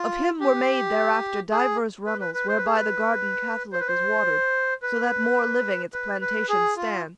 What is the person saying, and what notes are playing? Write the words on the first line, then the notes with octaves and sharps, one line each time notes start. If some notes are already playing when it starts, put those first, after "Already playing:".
Of him were made thereafter divers runnels, Whereby the garden catholic is watered, So that more living its plantations stand.
Already playing: F4
G4
G#4
B4
B4
B4
C5
B4
G#4
B4
C5
B4
C5
B4
B4
B4
G#4
F4